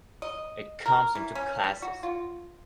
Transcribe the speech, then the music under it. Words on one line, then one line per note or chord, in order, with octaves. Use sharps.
It comes in two classes.
D#5
A#4
E3
C#4
G3
F#4
F4